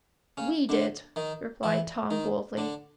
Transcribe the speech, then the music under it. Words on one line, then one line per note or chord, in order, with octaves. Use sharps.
"We did," replied Tom boldly.
C#3 C#4
D3 D4
D#3 D#4
E3 E4
D#3 D#4
D3 D4